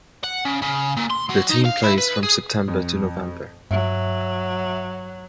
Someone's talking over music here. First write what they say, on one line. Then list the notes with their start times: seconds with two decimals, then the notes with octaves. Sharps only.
The team plays from September to November.
0.24 F#5
0.45 C#3
0.62 C#3
0.97 A#2
1.11 C6
1.30 F#3
1.50 D#4
1.66 F5
1.84 E4
1.98 B4
2.23 G#4
2.68 F2
3.71 G2 F#3 E5